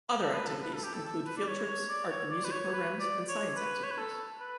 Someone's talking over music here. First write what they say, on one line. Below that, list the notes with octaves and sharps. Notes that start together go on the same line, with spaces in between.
Other activities include field trips, art and music programs, and science activities.
A4
B4
A4
B4
A4
G4
A4
A4
B4
D5
C#5
C#5
D5
C#5
D5
B4
C#5
B4
D5
C#5
B4
C#5
B4
A4
B4